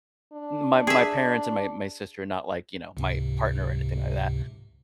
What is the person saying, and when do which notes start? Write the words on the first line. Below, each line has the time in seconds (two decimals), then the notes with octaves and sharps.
my my parents and my my sister, not like, you know, my partner or anything like that,
0.33 D4
0.87 G#4 E5
2.97 C#2 G#2 C3